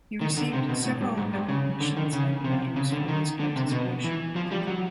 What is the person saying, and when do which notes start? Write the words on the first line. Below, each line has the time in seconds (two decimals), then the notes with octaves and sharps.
He received several recognitions and medals for his participation.
0.21 D#3
0.37 D3
0.53 C3
0.69 B2
0.85 A2
1.01 G2
1.17 G#2
1.33 G2
1.49 C#3
1.80 D3
1.97 D#3
2.13 C#3
2.44 C3
2.76 C#3
2.92 D3
3.08 D#3
3.40 D3
3.56 C3
3.72 B2
4.04 E3
4.36 F3
4.51 G3
4.67 F#3